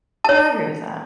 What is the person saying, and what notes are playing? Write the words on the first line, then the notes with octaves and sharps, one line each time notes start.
Yeah. I agree with that.
C#5 A5